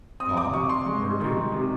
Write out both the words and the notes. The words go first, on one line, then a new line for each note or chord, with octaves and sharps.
"Gone?" I repeated.
C4 D#6
D6
C3 C#6
C6
G#3
D#3
C3